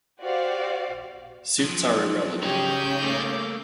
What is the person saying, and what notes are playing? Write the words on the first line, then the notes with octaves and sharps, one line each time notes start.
Suits are irrelevant.
F#4 G4 C5 D5 F5
F3 F#3
C#3 C#4 D#4 G4 G#4 G6
A3 A#3 D6